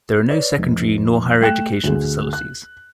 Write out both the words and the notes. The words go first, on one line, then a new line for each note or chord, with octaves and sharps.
There are no secondary nor higher education facilities.
B4 C#5 D5
F1
A3 G5 F#6 E7
D2 G#4
F#6